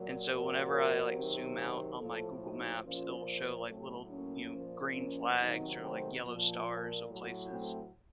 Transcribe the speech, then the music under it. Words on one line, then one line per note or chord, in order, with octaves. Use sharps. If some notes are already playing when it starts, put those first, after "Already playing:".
and so whenever I, like, zoom out on my Google Maps, it'll show, like, little, you know, green flags or, like, yellow stars of places
Already playing: A#2 F#3
A#2 F3 F#4 A#4
C3 D#3 F#3
A2 F3 F4 A4
D#4 F#4
A#2 F3 C#4 F4
A2 F#3 A3 C4
A#3 C#4
A#2 F3
A#3 C#4
C3 D#3 F#3 C4 D#4
A3 C4
A#2 F3
A2 F#3
A3 C4